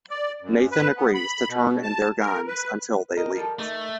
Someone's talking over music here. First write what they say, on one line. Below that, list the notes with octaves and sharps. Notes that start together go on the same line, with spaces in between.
Nathan agrees to turn in their guns until they leave.
D5
F#2
B4
B3
B5
B2
A5
A#4
B4
G4 A#4 D#5
F3 G3 A4
A3 D#4